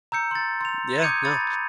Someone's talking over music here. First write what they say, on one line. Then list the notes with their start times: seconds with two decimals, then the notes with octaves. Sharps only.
Yeah. No.
0.12 A#5 E6 G6 C#7
0.31 C6 A6
0.61 C6 F7
1.02 D6 D#6 G6 G#6 C#7 D#7
1.25 B5 A6